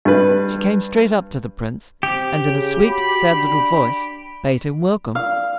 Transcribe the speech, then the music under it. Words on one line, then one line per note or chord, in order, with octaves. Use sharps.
She came straight up to the Prince, and in a sweet, sad little voice bade him welcome.
G2 B4
C3 G4
C#3
F#4 B5
D4
F5